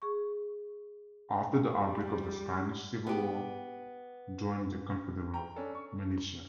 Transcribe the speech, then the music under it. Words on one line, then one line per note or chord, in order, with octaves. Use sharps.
After the outbreak of the Spanish Civil War joined the confederal militias.
G#4 C#6
G3
B3 G4
G5 A#5
C#4 D4 A4
C#6